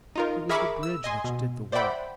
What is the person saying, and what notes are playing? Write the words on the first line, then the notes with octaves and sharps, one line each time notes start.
It was the bridge which did the work.
D#4 F4 A#4
G#4 A#4 E5 B5 C#6 D6
E6
D#5 G#5 C6
B2
C5 D5 E5 F#5 G5 B5